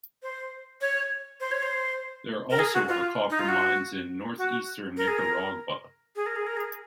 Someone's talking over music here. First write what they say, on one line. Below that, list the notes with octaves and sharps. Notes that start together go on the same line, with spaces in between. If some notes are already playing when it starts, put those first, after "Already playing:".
There also are copper mines in northeastern Nicaragua.
C5
C#5
C5
C#5
C5
A#4
G#4
F#4
F4
D#4
F4
F#4
F#4
A#4
G#4
A#4
G#4
A#4
G#4
A#4
G#4